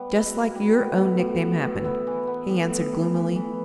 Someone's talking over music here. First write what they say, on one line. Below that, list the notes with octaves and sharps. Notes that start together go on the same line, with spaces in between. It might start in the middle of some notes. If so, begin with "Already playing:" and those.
"Just like your own nickname happened," he answered gloomily.
Already playing: G3 B3
B2 E4
B3
G3
B2
A2
A2
B3
A2
B3 E4
E3
B3
A2
B3
A2
E3
E3